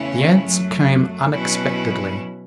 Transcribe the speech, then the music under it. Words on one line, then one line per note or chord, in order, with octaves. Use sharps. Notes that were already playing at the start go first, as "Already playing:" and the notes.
The answer came unexpectedly.
Already playing: E2 C#3 A3 C#4 E4
F#2 F#3 A3
B2 F#3 C#4 E4